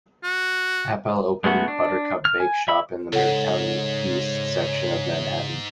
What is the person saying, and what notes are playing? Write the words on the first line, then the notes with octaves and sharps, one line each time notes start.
Appel opened Buttercup Bake Shop in the Midtown East section of Manhattan.
F#4
G#3 A3 B3 F#4
D4
F6
G#5
E5 B5 E6
D2 G#2 C#3 A4 C#5 F#5